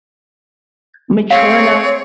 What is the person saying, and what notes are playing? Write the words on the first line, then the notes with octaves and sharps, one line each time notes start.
mature enough
C4 G#4 C#5 F5